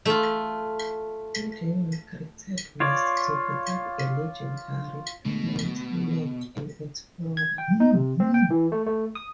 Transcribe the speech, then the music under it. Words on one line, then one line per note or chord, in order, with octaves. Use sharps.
He then migrated west to become a legendary "mountain man" and explorer.
A3 F4
F4 C#5 D5
B2 D3 G#3 A3
G#6
G5
D#4
C3
C4
G5
E3
A3
A3
D#6